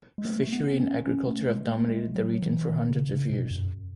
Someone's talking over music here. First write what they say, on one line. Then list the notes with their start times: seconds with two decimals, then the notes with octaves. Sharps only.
Fishery and agriculture have dominated the region for hundreds of years.
0.18 G#3
0.25 A3
0.44 A3
0.52 B3
0.80 C#4
1.07 C#4
1.27 A3
1.48 G#3
1.68 A3
1.88 G#3
2.16 F#3
2.42 E3
2.70 D#3
2.90 C#3
3.11 C#3
3.30 B2
3.51 F#2